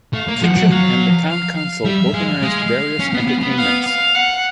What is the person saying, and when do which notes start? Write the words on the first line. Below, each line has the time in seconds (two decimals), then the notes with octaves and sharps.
Kitchin and the town council organised various entertainments.
0.13 A3 F5
0.28 A#3
0.42 F3 F#5
0.57 F#3
0.71 F#3 F5
1.28 F5
1.57 F5
1.85 G3 E5
2.14 G#3 F5
2.42 G#3
3.00 C#4
3.14 B3
3.28 B3
3.43 B3
3.58 F5
3.85 F5
4.15 F#5